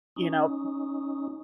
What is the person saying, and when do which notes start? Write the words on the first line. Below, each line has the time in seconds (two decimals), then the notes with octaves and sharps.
you know,
0.16 C#4 D#4